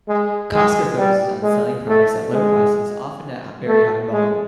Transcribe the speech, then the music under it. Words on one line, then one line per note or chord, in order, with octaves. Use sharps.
Costco focuses on selling products at low prices, often at very high volume.
G#3
G#3
G3
G#3
A3
G#3
A3
G#3